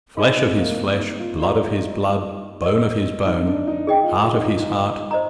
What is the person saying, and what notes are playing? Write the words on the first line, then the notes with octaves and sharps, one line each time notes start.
Flesh of his flesh, blood of his blood, bone of his bone, heart of his heart.
D#4 F4 G#4 D#5 G#5
C4
A#3
A#3
C4
D#4
F4
F4 G4 D5 F5 A#5
D#4
G4 A#4 D#5
D#4
D4
D#4
D#4 G#4 D#5 G5
F4
F4
D#4
F4
D#4
C5 D#5 A#5